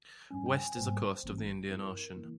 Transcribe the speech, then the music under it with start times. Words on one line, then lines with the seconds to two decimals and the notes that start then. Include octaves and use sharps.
West is the coast of the Indian Ocean.
0.31 G2 G3 C#4 G#5
0.46 G5
0.56 G#5
0.62 G5
0.77 G#1 G#2 G3 A#3 C5
1.24 G#1 G#2 E3 A#3 C#4
1.70 G2 F3 C4 E4 A#4
2.16 C#3 E3 A#3 E4